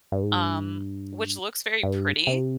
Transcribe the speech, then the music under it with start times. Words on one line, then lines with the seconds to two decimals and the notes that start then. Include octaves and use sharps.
um, which looks very pretty
0.12 G2
0.23 G#2
0.36 G2
1.83 G2
2.27 C3